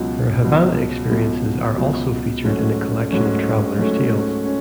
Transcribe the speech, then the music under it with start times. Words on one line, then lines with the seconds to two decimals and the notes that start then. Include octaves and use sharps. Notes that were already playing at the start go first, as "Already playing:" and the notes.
Her Havana experiences are also featured in a collection of travellers tales.
Already playing: C#2 B2 F#3
0.44 C#2 B2 F#3
1.11 C#2 B2 F#3
1.78 C#2 B2 F#3
2.44 G#2 F#3 A3 C#4
3.11 G#2 F#3 A3 C#4
3.78 G#2 F#3 A3 C#4
4.46 C#4